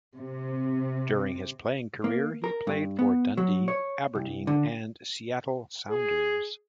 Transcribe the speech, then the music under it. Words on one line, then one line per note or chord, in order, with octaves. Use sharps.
During his playing career he played for Dundee, Aberdeen and Seattle Sounders.
C3
A#3
A#4
G2
B3
F#3
C#5
C2
D3
G#4